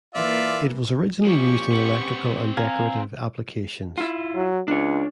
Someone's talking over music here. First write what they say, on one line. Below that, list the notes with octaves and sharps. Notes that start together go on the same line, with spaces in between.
It was originally used in electrical and decorative applications.
E3 A#3 F4 D5 E5
A#2 F3 C#4 G4 C#6
C4 B4 F#5
F5 G#5 A#5
E4 F4
F#3
C#2 D4 C#5